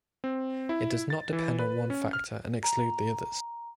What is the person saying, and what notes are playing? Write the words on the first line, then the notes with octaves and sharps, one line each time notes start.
It does not depend on one factor and exclude the others.
C4
E4
A6
E3
B4
C#4
F6
A#5